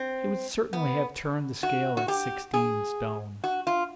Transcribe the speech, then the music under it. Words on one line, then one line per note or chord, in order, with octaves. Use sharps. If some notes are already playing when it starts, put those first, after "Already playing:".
He would certainly have turned the scale at sixteen stone.
Already playing: C4
B3
F#4
F#4
G4
G#4
F#4
F4